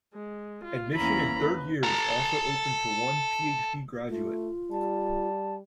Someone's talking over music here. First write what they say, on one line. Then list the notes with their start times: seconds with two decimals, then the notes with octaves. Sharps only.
Admission in third year is also open to one Ph.D graduate.
0.13 G#3
0.63 F4
0.94 E2 A#3 C#4 E4 A#5 B5
1.42 B4
1.83 A4 A#5
4.10 A3 F4
4.72 G3 A5